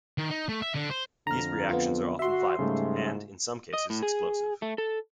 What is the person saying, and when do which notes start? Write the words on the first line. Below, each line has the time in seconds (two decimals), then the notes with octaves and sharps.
These reactions are often violent, and in some cases explosive.
0.18 D#3
0.30 D#4
0.49 A3
0.62 E5
0.74 D3
0.90 C5
1.27 F2 D3 A#5 F6
1.69 B3 F4
2.19 F#4 E5 C6
2.59 G#2 C#3 G3 A3
3.74 D#5
3.90 A2
4.03 G#4
4.62 A3
4.78 A4